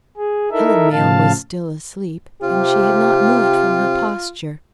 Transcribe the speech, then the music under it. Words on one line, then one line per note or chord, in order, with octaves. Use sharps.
Helen Mayle was still asleep, and she had not moved from her posture.
G#4
D#4 E4 A4 A#4 E5
A2 C#3 F3 F5 A5
C3 C4 F4 G4